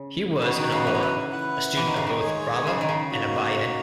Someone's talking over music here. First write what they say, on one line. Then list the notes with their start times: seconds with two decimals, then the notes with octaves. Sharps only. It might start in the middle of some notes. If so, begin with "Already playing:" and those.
He was an Amora; a student of both Rava and Abaye.
Already playing: C#3
0.42 C#3 B3 D#4 F#4 B4
0.57 D#3
0.72 C#3
0.87 E3
0.95 F#3
1.03 E3
1.32 E4 B4 F#5
1.77 E3
1.86 D#3
1.97 C#3
2.07 D#3
2.21 G#3 D#4 G#4 C#5
2.67 C#3
2.81 D#3
2.89 C#3
3.11 A#3 D#4 F#4